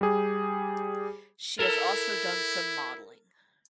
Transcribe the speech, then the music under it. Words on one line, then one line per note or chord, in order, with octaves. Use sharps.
She has also done some modeling.
G3 G4 G#4
E4 A4 A#4